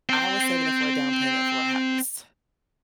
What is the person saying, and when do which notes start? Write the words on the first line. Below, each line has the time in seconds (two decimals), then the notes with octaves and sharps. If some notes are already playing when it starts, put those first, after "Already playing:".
I was saving it for a down payment for a house.
0.09 C4 G5